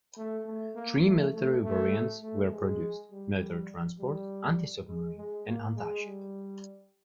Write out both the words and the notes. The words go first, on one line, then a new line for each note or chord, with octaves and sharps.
Three military variants were produced: military transport, anti-submarine and anti-ship.
A3
A3
A#3
A3
A3
A3
A3
G#3
G3
G3
G#3
G#3
A#3
G#3
G3